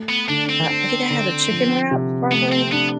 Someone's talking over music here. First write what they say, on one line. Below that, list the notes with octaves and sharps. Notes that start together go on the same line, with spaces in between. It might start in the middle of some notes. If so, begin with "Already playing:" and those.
I think I had a chicken wrap, probably?
Already playing: A3
B3
D3 D4
C4
D4
D3
F3
C3
A3 B3
C4
B3 D4